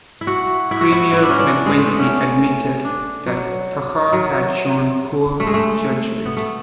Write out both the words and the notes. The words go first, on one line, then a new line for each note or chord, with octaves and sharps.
Premier McGuinty admitted that Takhar had shown poor judgement.
E4
F#4
E4
F#4
E4
E4
D4
C#4
D4
G#3
A3
B3
C#4
D4
F#3
F#3
A3
G#3
A3
B3
A3